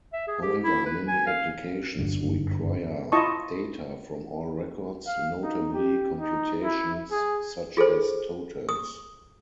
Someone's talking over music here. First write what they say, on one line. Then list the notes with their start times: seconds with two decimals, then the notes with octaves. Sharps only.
However, many applications require data from all records, notably computations such as totals.
0.13 E5
0.28 G#4
0.42 G4
0.64 E4
0.86 B4
1.08 G#5
1.27 F5
1.98 F#1 G2 D3 F#3
3.12 E4 F4 D#5 A5 C#6
5.07 F5
5.43 D#4
5.74 G4
6.17 D#4
6.63 E4
7.11 G#4
7.77 F4 G#4 A4 C5
8.69 D#6